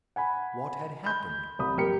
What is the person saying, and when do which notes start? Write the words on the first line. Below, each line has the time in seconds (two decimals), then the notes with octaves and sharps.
What had happened?
0.16 F#5 G#5 B5
1.04 B5 G6
1.59 C2 B5 D#6
1.77 F#1 G4 A#4 C#7